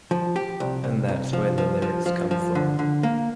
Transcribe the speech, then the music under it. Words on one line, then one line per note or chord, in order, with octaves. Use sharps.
And that's where the lyrics come from.
F3
G4
C2
C2
C2
F3
F3
F3
F3
F3
D3
D3
A#3